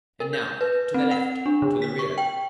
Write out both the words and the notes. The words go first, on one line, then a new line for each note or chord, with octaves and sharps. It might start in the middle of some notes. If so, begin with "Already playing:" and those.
And now--to the left! to the rear!
A#4
G6
B4
C4
F#5
D4
D3
B6
C#6
G5